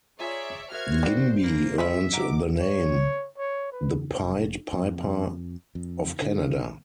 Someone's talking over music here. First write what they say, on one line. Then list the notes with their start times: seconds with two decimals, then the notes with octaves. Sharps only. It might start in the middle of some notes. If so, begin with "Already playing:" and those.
Gimby earned the name the "Pied Piper of Canada".
0.20 F4 G#4 C#5 D5 E5 G#5 A#5
0.72 F#4 G#4 A#4 C5 E5 F6 G#6
1.03 G3 C5
1.43 A#3 G#4 B4
1.78 G#3 C#4 E4 F4 E5
2.12 D#5 F#5 A#5 D6
2.61 C#5
3.38 C#5
3.72 B4
4.23 F1
4.73 F2
5.75 F2
6.22 D3